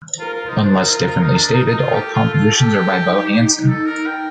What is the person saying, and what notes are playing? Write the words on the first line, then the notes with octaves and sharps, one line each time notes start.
Unless differently stated, all compositions are by Bo Hansson.
F4 A#4
F4
D#4 C5
D4
D#4 A#4
F4
F4
D#4
D4
D#4
D#4
F4
G4 A4
F4
F4
G4
D#4
A4
A#4
G5